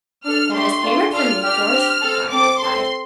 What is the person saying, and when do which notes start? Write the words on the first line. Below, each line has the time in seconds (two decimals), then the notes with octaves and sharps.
"Them as pay rint for me, a course!" the Gardener replied.
0.25 D4 A4 F6
0.54 A3 D4 G4 C6
0.84 A3 D4 F4
1.13 D4 F4 A4 F6
1.42 D4 G4 F6
1.72 C4 G4
2.02 C4 A4
2.31 C4 A4 D6
2.60 C4 A4 C6